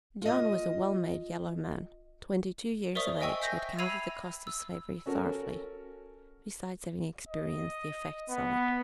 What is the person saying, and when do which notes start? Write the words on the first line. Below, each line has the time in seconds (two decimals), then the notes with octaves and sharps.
John was a well-made yellow man, twenty-two years of age, who had counted the cost of slavery thoroughly, besides having experienced the effects of it.
0.22 F4 D#5
2.95 A#4 C5 D5 E5 C#6 D#6
3.21 D#5 G5 G#5 C#6 E6
3.42 E5 G6 A#6
3.79 B5 E6 G#6 C7 D#7 F7
4.47 E6
5.06 C#4 F#4 A4 A#4
7.28 D#5
8.28 B3